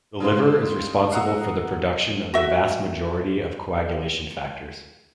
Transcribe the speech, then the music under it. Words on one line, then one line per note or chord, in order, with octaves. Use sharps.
The liver is responsible for the production of the vast majority of coagulation factors.
C#3 G#3 F4 G4 C5
F5 F#5 A#5 D#6 E6
F#4 E5